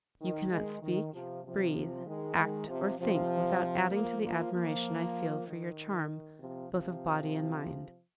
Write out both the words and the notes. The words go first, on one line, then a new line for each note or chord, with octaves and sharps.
You cannot speak, breathe, act, or think, without adding to the admiration I feel for your charm both of body and mind.
D#3
D#3 G#3
D#3
C3 F3
C3 F3
D#3 G#3
D#3 G#3
C3 F3
C3 F3
F3 A#3
F3 A#3
F3 A#3
D#3
C3 F3
C3 F3